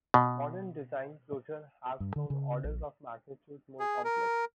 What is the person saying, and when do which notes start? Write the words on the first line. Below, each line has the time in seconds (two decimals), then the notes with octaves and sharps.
Modern design closure has grown orders of magnitude more complex.
0.14 B2
2.00 G2
2.16 D3
2.30 C#3
2.64 A#1
3.80 G#4
4.05 A#4